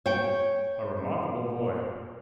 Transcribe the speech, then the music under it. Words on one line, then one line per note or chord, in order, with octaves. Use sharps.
'A remarkable boy!
C#5 G5